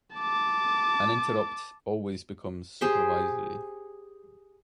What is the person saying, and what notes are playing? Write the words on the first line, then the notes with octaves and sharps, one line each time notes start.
An interrupt always becomes supervisory.
A5 D6
G4 G#4 C5 G5